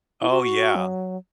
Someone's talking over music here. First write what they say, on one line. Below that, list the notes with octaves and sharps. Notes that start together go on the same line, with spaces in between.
Oh, yeah.
E4
F#4
F#3